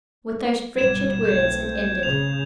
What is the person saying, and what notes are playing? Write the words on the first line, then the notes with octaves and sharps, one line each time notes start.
With those wretched words it ended.
G1 B2 G3 G#6 E7
B1 A3 C4 G6 G#6
C#3 F7